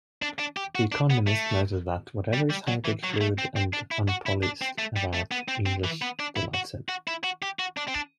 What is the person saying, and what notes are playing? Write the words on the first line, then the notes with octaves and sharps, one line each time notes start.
The Economist noted that "whatever is hybrid, fluid and unpoliced about English delights him".
D4
D4
G4
F#4
D4
B3
A3
G3
G3
F#3
E3
F#3
A3
C4
C4
D4
E4
F#4
E4
D4
C4
A3
G3
A3
B3
C4
C4
E3
B3
D4
E4
F#4
F#4
E4
F#4
G4
F#4
D4
C4
D4